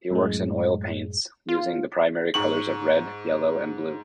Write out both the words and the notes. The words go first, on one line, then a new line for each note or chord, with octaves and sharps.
He works in oil paints, using the primary colors of red, yellow, and blue.
F#2 A2 G#3
F4
G#2 C#6 F#7